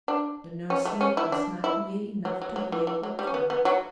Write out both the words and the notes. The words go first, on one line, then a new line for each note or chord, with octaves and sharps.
The nursemaid was not near enough to hear what followed.
D4
C#4
A3
C#4
E4
D4
E4
F#3
F#3
F#3
E3
E3
F#3
G3
C#4
B3
B3
F#3